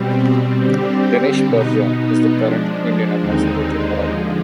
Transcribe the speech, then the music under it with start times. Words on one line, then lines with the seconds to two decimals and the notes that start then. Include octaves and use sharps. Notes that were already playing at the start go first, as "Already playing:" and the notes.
Dinesh Bhatia is the current Indian Ambassador to Paraguay.
Already playing: B2 G3 C4
0.61 D3 G3 C4 G4
1.48 B2 B3 D#4
2.33 F3 G#3 D4
3.20 D#2 D3 G#3 C4 D#4
4.07 D3 F3 G#3